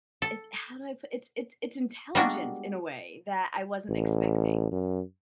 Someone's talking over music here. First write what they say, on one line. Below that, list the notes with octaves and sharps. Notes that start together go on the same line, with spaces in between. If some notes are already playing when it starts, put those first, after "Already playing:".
it's how do I put it's it's it's intelligent in a way that I wasn't expecting.
A4
G3 G#3 A#3 B3 D4 F#4
A1
F#2